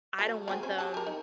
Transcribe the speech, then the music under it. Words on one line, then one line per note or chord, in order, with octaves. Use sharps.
I don't want them
F#3 A3
F#3 C4 G#4
C#4 C5
G4 A5
G4 A#4
D#4